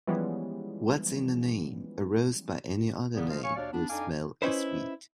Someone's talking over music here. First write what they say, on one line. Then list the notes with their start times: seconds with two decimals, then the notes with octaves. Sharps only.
What's in a name? A rose by any other name would smell as sweet.
0.07 E3 F3 G3 G#3 B3 C#4
3.14 A#2 C#3 B3
3.29 F3 G#3 F4 D#5 F5
3.43 C#5 F5 G#5 C#6
3.55 D#2 B2 D4 C#5 D5 F5
3.72 B3 D4
3.89 F2 D4 D#4 F5 G#5 D6
4.42 C#4 D#4 E4 B4 C5